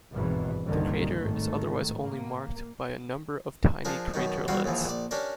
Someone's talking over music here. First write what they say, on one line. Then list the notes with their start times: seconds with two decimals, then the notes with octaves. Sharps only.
The crater is otherwise only marked by a number of tiny craterlets.
0.12 G#1 E2 G2 B2 E3
0.66 C2 G2 A#2 D3 D#3
1.20 G#1 A2 D#3 A3
2.02 A#3
3.85 F3 D4 G#4 A#4
4.14 F#2 B2 D#3 D#4
4.48 E2 G3 C4 F#4 F5 G5
4.64 D#2 G#2 E3 F3
4.86 A#1 D5
5.11 C#4 D4 G4 A#4 D5